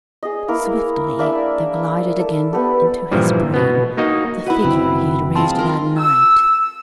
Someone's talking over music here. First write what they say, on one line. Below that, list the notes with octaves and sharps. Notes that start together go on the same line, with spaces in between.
Swiftly, there glided again into his brain the figure he had raised that night.
G#4 D#5
A#3 E4 A#4
A#3 D4 D5 E5
A4
B3 G4 A4
G2 A#2 E3 F3 G3
B2 B3
A#3 D#4 F#4 D#5
E4 F#4 B4 F#5 B5
F#1 C4
G#3 C4 F4 A5 C6
F4 A#4
E6